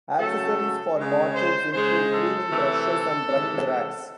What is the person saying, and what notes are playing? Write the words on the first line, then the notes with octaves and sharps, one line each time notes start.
Accessories for bottles include cleaning brushes and drying racks.
C#3 F#3 A3 A4
A4
C#3 G#3
C5
C#3 G#3 C5
A4
C3 E3 A3
C3 E3 G#3